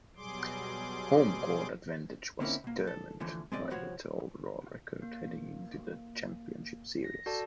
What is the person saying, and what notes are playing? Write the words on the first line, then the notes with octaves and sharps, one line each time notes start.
Home court advantage was determined by better overall record heading into the championship series.
B2 F#3 G3 G#4 C6 D6
D3 A#3 C4 C#4 D#4 E4
B2 A#3
A4
A#2 D3 E3 F3 A3
G#3 C4 D5 D#5
C2 A2 F3 F#4 C5 C#5
A#3
A#6
F#4 A4 D5 A5